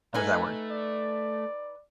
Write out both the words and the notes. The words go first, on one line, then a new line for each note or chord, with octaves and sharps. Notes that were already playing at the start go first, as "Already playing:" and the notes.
How does that work?
A3 D#4 B4 G#5
D5